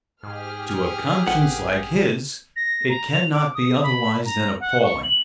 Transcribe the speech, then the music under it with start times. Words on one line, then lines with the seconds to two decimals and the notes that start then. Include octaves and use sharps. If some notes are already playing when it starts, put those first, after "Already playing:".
To a conscience like his, it cannot be otherwise than appalling.
0.23 G#2 G4 G#4 F6
1.27 A1 F#5
2.56 A#6
2.89 A#5
3.12 F7
3.33 D6
3.54 D#6
3.83 B5
4.26 A#5
4.60 F#5
4.83 C#6
5.03 F#7